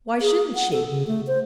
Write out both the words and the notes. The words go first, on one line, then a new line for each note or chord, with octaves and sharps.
"Why shouldn't she?"
G#4
F#5
A4
C#3
A3
C5